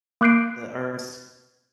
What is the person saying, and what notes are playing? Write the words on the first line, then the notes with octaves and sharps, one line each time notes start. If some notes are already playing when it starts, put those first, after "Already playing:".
the Earth's
A#3 D6 F#6 G6 C7 D7